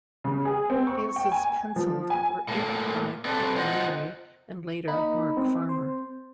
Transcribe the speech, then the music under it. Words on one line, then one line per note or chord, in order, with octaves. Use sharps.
Davis' penciled were inked by Paul Neary and, later, Mark Farmer.
C#3
G#4
C4
C#6
G5
G#5
G#5
F3
G#5
A2 A#3
C4 A4 B4 D5
F4 C5 D#5 F#5
A#3 D#4 B5
C4
C5